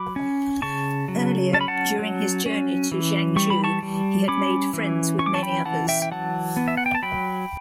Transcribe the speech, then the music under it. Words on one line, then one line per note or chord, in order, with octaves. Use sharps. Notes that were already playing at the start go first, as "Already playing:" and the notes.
Earlier during his journey to Jiangzhou he had made friends with many others.
Already playing: F#3 B5 D6
C#4
C#3 A5 C#6
F#3
C#4 A5
B5
F#5 A5
F#3
C#4
E3
G3 C#6
B5
A5 C#6
G3
C#4 B5 D6
E3
C#4 C#6
D6
A5 C#6
G5 B5
E3 F#5 A5
E5 G5
G5
F#3 F#5 A5
B3
E5
F#5
G5
A5
F#3 G5 B5